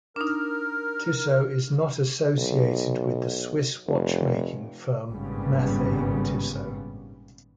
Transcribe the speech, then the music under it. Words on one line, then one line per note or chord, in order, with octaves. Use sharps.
Tissot is not associated with the Swiss watchmaking firm, Mathey-Tissot.
D4 D#4 A#4
B1
F1
G#1 G2 A#2 C#3 G3 B3